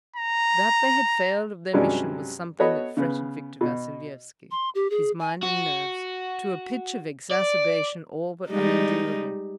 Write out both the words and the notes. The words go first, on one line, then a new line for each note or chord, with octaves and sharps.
That they had failed of their mission was something that fretted Victor Vassilyevski, his mind and nerves, to a pitch of exacerbation all but unendurable.
A#5
G2 C3 F#3 G#3 C#4 D5
B3 F#4 A4 C#5 D#5 B5
C#3 B3
B2
C6
G4
G#4
G#5
F#4
D5
G3 G#3 D#4